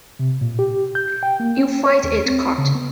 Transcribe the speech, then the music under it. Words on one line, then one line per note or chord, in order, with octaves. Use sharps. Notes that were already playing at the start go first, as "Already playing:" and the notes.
You fight it cut.
C3
A#2
G4
G6
G5
A#3
C#4
C#5
D#2
C4
C#3
B3